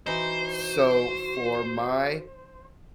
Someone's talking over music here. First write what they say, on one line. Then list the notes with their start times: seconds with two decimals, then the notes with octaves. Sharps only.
so for my,
0.06 E3 D#4 F#4 C5